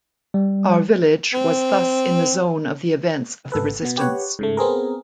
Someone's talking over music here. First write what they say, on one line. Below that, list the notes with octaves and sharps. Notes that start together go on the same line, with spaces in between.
Our village was thus in the zone of the events of the Resistance.
G3
C4
G#1 A4 B4
B2 B3
G4 B4 C#5 F#5
G#2 C#3 A3
B3 C4 G#4 A#4